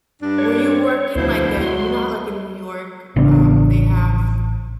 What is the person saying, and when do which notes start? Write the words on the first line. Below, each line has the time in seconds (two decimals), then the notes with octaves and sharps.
Were you working, like, in you know how, like, in New York, um, they have,
0.21 G2 D4
0.38 C#5
1.15 D2 B2 F3 E4 C5
1.61 F#3 G#3 C6
3.16 A1 C#3 B3 D4